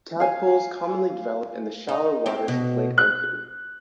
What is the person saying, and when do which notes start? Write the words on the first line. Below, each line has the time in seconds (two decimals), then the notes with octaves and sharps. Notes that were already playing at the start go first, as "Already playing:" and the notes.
Tadpoles commonly develop in the shallow waters of Lake Oku.
0.20 F5 G#5
1.89 D#4
2.26 C4 G4
2.48 B2
2.98 F#6